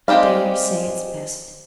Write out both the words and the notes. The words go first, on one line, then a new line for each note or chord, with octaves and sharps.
I dare say it's best.
G#3 C4 G4 D5 F5